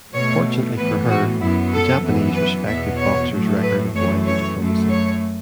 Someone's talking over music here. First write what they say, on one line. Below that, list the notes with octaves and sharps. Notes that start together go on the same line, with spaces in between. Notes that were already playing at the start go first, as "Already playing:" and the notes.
Fortunately for her, the Japanese respected Boxer's record of wily diplomacy.
B2 A3 C#5
A2 E3 B3 B4
F#4
F#2 F#3 B3 E4
A4
F#2 E3 B3
B4
E2 B2 B3 E5
C#5
A2 F#3 A3
B4
F#2 E3 A3 C#5
C#5
F#2 F#3 A3
C#5